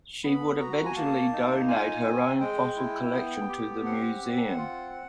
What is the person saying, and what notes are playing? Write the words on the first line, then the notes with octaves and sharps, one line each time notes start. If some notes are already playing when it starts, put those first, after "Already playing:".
She would eventually donate her own fossil collection to the museum.
B3 B5
F#4 A#5
G#5
A#3 A5
D#4
F4 G#5
C4
G#3 G5
E4
B3
G4
C4 F#5
C4
F4